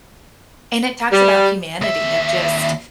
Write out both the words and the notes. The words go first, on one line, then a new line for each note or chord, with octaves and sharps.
And it talks about humanity of just
G3
D#2 E5